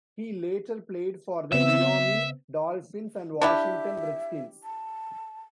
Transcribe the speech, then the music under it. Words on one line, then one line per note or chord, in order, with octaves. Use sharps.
He later played for the Miami Dolphins and Washington Redskins.
C#3 B3 C4 E5
D4 E4 G4 E5
A5